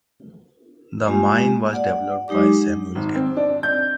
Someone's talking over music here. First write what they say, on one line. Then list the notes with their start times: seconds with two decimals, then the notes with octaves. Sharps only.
The mine was developed by Samuel Gebo.
1.05 G#3 A#3 F4 G4 G#5
1.73 D5 F#5
2.28 F#3 G#3 D#4 G4 D6
2.95 G#1
3.15 C4
3.37 D4
3.63 G6